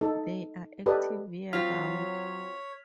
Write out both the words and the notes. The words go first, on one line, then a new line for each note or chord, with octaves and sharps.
They are active year-round.
D#4 A4
G4 A4 B4 D5 D#5
F#3 C4 F4 C#5 F6 B6 F7